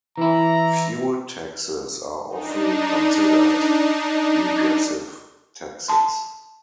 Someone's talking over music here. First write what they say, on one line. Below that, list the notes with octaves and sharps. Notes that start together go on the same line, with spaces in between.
Fuel taxes are often considered regressive taxes.
E3 E4 A#5
D4 D#4
A5 C6